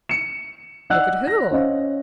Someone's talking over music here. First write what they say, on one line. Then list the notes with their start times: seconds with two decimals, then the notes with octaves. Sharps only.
"Look at who?"
0.09 C#7 E7
0.90 D5 D#5 F#5 E6 F#6
1.27 A#6
1.51 C#4 C5 D#5 F5